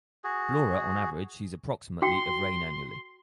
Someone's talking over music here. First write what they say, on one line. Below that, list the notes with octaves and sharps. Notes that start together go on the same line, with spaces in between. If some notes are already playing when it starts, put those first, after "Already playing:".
Blora on average sees approximately of rain annually.
F#4 G#4
F#4 G5 C6